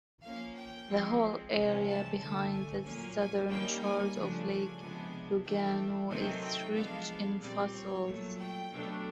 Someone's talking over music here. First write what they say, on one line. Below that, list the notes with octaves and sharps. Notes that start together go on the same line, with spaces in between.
The whole area behind the southern shores of Lake Lugano is rich in fossils.
F3 A#3 C#4 F5
G5
F3 G#3 C4
C3 E3 G#3 C#4
A5
D3 F#3 A3 A5
G#5
A#2 F#3 A#3 C#4 G#5
G#5
D#3 G3 A#3 C#4 G5
G#5
C#3 F3 A3 D4
G#5
C3 F3 G#3 B3 D4
E3 A3 D4 G5
C3 D#3 F#3 A3 C4 G#5
G5
F3 G#3 B3 D4 F5
A#2 G3 C4 D5
C#5
A#2 F#3 A3
G5
B2 F#3 A3 D4